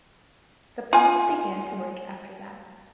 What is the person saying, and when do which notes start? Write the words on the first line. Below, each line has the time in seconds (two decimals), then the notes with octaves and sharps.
The pump began to work after that.
0.93 F4 G#5